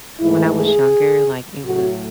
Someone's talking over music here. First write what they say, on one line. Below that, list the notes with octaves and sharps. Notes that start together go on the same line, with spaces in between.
when I was younger, like, it was,
G#2 E3 A3 E4
G#4
A2 F#3 A3 F#4